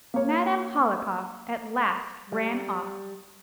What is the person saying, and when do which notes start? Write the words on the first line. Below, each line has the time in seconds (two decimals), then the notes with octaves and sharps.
Madame Hohlakov at last ran off.
0.14 A#3 C#5
2.32 G3